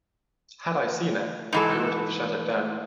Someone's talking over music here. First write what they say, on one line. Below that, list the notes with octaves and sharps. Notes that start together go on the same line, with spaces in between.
Had I seen it, I would have shut it down.
G#2 E3 A4